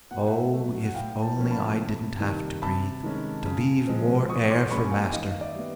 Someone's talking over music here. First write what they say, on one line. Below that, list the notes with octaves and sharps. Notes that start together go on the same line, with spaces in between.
"Oh, if only I didn't have to breathe, to leave more air for master!"
B2 F#5
G5
E5 F#5
F#3 A3
F#5
A2 F5 G5
G5 A5
F3 A#3 C#4
A5 B5
C3
D#3 G3
C3 A5 B5
D#3 G#3 C#4
C#3
F3 G#3 C4
E3 C#6 D#6
C6 D6
G3 A#3 C#4 B5 C#6
G#5
F5 G5
D#3 D#5 F5
F5
D5 E5
G3 B3